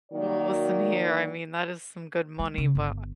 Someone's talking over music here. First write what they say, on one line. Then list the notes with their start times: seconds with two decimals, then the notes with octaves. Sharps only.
Well, listen here, I mean, that is some good money, but
0.12 D#3 F#3 A#3 F#4 D5
2.39 G#3
2.58 C#3
2.75 G1